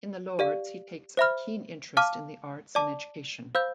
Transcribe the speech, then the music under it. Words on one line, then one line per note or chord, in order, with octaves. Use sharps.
In the Lords he takes a keen interest in the arts and education.
G4 D5 F5
C5 E5 B5 F6
F5 A5 D6 F6
D5 A5 D6
C5 F5 B5 E6 G6